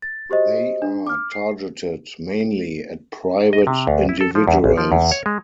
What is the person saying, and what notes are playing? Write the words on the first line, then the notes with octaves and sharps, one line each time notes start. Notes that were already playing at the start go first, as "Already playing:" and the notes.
They are targeted mainly at private individuals.
A6
F#4 G4 C5 D#5
D4
D6 F6
C7
D#5
C3
D2
E4
A4
F3
E2
A1
F3
E2
C#5
G#3